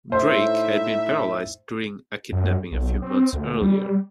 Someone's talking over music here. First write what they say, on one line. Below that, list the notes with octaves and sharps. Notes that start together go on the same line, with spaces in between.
Drake had been paralyzed during a kidnapping a few months earlier.
A2 D#4 C5 E5
F#2
B1
C4
D2
G3